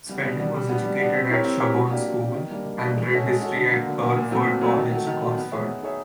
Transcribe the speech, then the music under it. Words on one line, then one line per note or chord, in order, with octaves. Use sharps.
Spedding was educated at Sherborne School and read history at Hertford College, Oxford.
G3 B3 D4
B2
G3 B3 D4
G3
B3 D4
G3
B3 D4
C4
E4 G4 A#4 C#5
C4
E4 G4 A#4 C#5
F#3
A#3 D4 G4
F#3
A#3 D4 G4
D#3
G3 A#3 D4
D#3
G3 A#3 D4
G#3
C#4 F#4 A4
G#3
C#4 F#4 A4
D3
F#3 A#3
D3
F#3 A#3
A#2
F#3 A3 C4
A#2
F#3 A3 C4
D#3
F#3 A3
D#3
F#3 A3
B3
D#4 G#4 C#5 E5
B3
D#4 G#4 C#5 E5